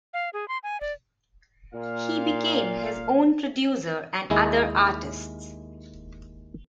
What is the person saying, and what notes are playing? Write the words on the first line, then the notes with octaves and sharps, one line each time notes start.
He became his own producer and other artist's.
F5
G#4
C6
G#5
D5
A#2 F5
D#2 G#3 E4 G#4 D#5